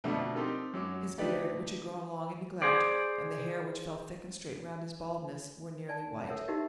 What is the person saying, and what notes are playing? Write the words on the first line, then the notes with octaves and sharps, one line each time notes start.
His beard, which had grown long in neglect, and the hair which fell thick and straight round his baldness, were nearly white.
F2 B2 D3 F3 A3 D4
C4 D#4 G4 A4 A#4
F#2 F#3 D6
D3 A3 D#4 G4 B4 D5
G#4 C5 D5
D5 G#5 A5
A4 A#4 C#5 E5 F#5 G5
D#4 F#4 G4 A#4 D#5 E5